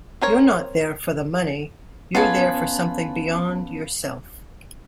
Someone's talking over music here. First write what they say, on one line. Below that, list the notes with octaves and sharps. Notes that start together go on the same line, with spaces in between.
You're not there for the money, you're there for something beyond yourself.
C4 A#4 C#5
B3 C#4 F4 B4 G#5 A5